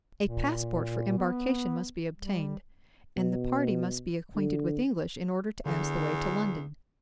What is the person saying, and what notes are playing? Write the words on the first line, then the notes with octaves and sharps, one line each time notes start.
A passport for embarkation must be obtained; and the party must be acquainted with English in order to ask the way to London.
A#2
B3
G3
B2
D3
E2 D3